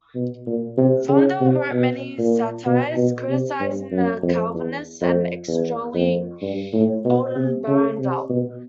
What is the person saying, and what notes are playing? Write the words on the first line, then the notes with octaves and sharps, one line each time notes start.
Vondel wrote many satires criticising the Calvinists and extolling Oldenbarnevelt.
B2
A#2
C3
C#3
C3
B2
A#2
B2
B2
C3
G2
F#2
F2
E2
F2
E2
F2
G2
A2
B2
C3
C#3
C3
B2